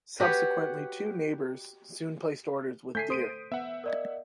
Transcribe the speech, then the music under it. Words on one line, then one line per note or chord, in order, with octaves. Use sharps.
Subsequently two neighbors soon placed orders with Deere.
F#4 G4 B4 C#5
A3 G#5 G6 B6 C7
C5 D#6 D7 D#7
B3 E5 F#5
A#4 D5 D#5